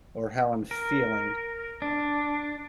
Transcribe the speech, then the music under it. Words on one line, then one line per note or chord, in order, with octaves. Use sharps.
or how I'm feeling.
A#4
D4